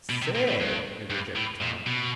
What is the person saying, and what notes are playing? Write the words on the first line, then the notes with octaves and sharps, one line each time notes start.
"Say," interjected Tom.
B2
C3
A#2
A2
G2
G2
A2
A#2
B2